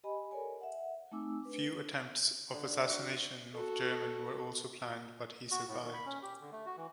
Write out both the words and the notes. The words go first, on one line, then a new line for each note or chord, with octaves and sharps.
Few attempts of assassination of Jerman were also planned but he survived.
G4 D#5 G#5 B5
A4 A#4 C#5 D5 G#5
E5 F#5
A3 C4 D#4 G#5 D6 E6
D4 B4
D3
F#4
F#4 A4
F#4
A2
D#3
B5
C#4
G4
D3
A3
F#4
E3